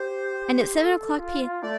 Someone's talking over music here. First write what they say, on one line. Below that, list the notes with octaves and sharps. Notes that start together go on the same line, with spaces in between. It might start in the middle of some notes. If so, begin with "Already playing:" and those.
And at seven o'clock P.m.
Already playing: G4 C5
A4
F4
A3 D5